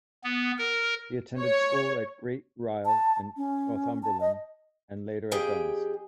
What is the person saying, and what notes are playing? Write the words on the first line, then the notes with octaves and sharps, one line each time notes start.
He attended school at Great Ryle in Northumberland, and later at Duns.
B3
A#4
C#5
A5
C#4
A5
D#5
F2 G4 G#4 G5